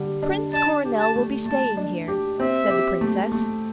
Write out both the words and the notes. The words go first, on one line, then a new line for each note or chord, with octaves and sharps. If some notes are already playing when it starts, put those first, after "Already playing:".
"Prince Coronel will be staying here," said the Princess.
Already playing: D3 G3
D4
D4 A5
G4
A5
A3
A3 A5
D4
G4
C4 E5
G4
A3
A3